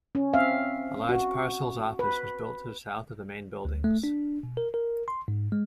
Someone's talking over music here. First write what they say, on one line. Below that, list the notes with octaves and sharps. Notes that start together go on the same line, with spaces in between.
A large parcels office was built to the south of the main buildings.
C#4
C4 E5 F5
F#4
B4
D2
A3
D4
B2
A#4
A#4
C6
G#2
G#3